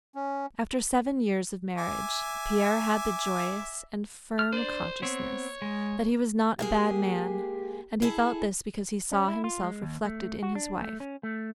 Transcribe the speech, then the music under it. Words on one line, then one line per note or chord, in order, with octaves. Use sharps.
After seven years of marriage Pierre had the joyous and firm consciousness that he was not a bad man, and he felt this because he saw himself reflected in his wife.
C#4
E5 G#5 D6
F6
D4 C5 D5
B3 C4 C#5
G#3
G#3 A#3 G4 G#4
E4 G#4 A4
C#4
E4
F4
G#3
D#2
A3
F#4
D4
A3
C#4
A3